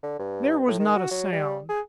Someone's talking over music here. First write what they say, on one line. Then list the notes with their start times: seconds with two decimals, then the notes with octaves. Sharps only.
There was not a sound.
0.03 D3
0.19 G2
0.68 A2
0.79 D#3
0.96 F#4
1.11 F#3
1.32 G3
1.69 G#4